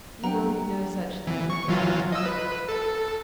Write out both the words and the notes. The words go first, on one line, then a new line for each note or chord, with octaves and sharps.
'You will do no such thing,' replied his wife.
F#3 G3 A#3 D4 F#5 G5 A#5
E3
C#6
E3 F#3 F4
D#5 E6
B4
A4